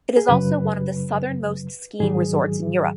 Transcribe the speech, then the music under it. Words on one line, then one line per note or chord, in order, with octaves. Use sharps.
It is also one of the southernmost skiing resorts in Europe.
G#4
F#2 C#3 F#3 B4
G#2 D#3 F#3 G#4